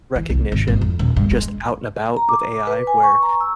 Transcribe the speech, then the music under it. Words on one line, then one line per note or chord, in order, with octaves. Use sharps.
recognition. Just out and about with AI, where
E3
C2
G#1
G#1
F2
D#1
G2
G#3
A#5
D6
B4
G#5
C#6
A#5
E6